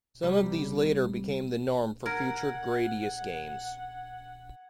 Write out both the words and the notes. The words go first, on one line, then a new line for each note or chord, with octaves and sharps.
Some of these later became the norm for future "Gradius" games.
C2 G3
A#4 F#5 G#6